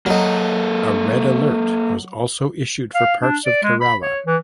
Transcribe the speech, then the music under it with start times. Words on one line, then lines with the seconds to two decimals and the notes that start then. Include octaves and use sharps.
A red alert was also issued for parts of Kerala.
0.06 F#3 A#3 D#4 A4
2.95 F5
3.22 D4
3.46 D5
3.63 G#3
3.81 B5
4.02 C#5
4.26 E3